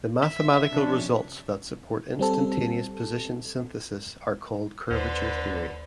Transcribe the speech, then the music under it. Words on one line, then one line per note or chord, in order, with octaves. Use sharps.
The mathematical results that support instantaneous position synthesis are called curvature theory.
E5
C3 F3 C#4 D4
G3 C4 A4
D#2 D3 B4 C5